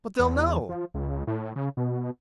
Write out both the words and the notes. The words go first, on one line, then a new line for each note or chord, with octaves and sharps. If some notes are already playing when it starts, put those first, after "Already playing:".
"But they'll know...."
E2
F3
C#2
A2
C#3
B2